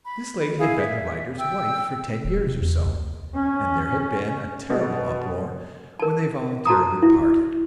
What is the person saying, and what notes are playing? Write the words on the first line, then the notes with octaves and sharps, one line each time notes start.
This lady had been the writer's wife for ten years or so, and there had been a terrible uproar when they voluntarily parted.
B5
E4 G#4 F5
E5
G5 E6
D#1
C3
E2
D2
C#4
B2
A#4 A5
F#4 A5 A#5 D#6
E4